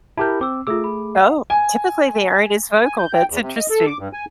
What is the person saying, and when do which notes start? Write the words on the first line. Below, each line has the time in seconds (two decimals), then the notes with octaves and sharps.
Oh, typically, they aren't as vocal, that's interesting.
0.17 E4 G4 A#4 A5 B5 G6
0.41 C4 D6 E6
0.67 A3 F4 G#4 D6 E6
0.84 B5
1.15 F#5
1.50 G#5
2.85 G#5
2.99 G6
3.13 G5
3.30 E2
3.42 C3
3.56 D#5
3.70 A4
3.87 D6
3.99 G2
4.13 G#5